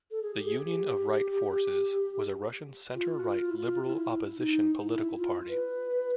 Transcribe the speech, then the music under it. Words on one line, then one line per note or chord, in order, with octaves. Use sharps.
The Union of Right Forces was a Russian centre-right liberal opposition political party.
A4
G#4
G4
G#4
G4
F4
F#4
F4
E4
F4
F4
E4
D#4
E4
F4
B4